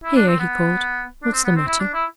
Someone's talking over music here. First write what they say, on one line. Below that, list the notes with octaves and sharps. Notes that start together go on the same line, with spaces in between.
"Here," he called, "what's the matter?"
E4
D4
C4
B3
D4
C4
B3
C4
E4
D4
E4